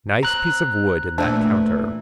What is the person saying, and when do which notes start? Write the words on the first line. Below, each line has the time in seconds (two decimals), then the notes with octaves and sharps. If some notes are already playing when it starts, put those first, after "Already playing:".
Nice piece of wood in that counter.
0.23 C4 A#5 F#6
1.18 A#2 E3 A3 D4 C5 E6